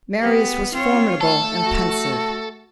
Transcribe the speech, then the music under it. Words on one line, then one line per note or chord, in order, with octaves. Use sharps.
Marius was formidable and pensive.
B3 G4
C4 F4 C#5
A3 A4
F#4